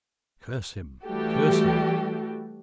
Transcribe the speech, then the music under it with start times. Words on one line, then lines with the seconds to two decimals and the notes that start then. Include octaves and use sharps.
Curse him! Curse him!
1.05 E3 G3 A3 F#4 G4 A4